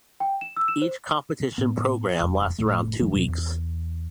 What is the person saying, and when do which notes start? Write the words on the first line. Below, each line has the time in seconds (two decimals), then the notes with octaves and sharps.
Each competition programme lasts around two weeks.
0.20 G5
0.41 E7
0.57 E6
0.68 E7
0.82 C5
1.58 A2 B3
2.20 E1 F2
2.59 F1 F2 A2 A3
2.99 F1 D#3 F3 G#3
3.15 E2 B2 F#3
3.28 E2